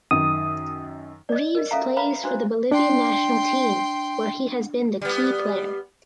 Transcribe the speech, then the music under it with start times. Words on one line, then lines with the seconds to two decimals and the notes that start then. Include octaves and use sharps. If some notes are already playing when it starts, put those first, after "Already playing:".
Reaves plays for the Bolivian national team where he has been the key player.
0.11 F#2 D#3 D#6
1.29 D5 D#5
1.55 A#4 D#5
1.71 C#4 A4 E5 F5 A#5
1.97 B4 F5 A#5 B5
2.24 D4 F#4 B4 C5
2.71 D4 G5 C6
5.01 G3 B3